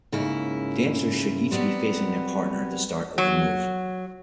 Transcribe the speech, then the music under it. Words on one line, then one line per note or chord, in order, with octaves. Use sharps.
Dancers should each be facing their partner at the start of the move.
G#2 C#3 A#3 C#4 E4
F#3 G3 B3 C4
F#3